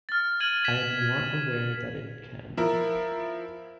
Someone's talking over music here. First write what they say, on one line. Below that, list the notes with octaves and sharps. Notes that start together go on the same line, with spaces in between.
I am not aware that it can.
F6 A6
F6 G#6 D#7 F#7
G#6 B6 E7
F3 E4 A#4